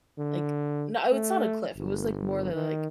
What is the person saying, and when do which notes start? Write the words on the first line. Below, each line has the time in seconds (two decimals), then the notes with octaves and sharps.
like no, it's not a cliff. It was like more than like
0.18 D3
1.12 A3
1.77 G1
2.54 D#3